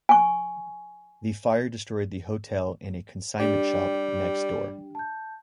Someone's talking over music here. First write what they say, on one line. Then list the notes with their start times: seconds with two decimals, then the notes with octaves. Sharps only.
The fire destroyed the hotel and a consignment shop next door.
0.09 G#5 C#6
3.40 G3 D4 G4 G5
4.95 A5 G6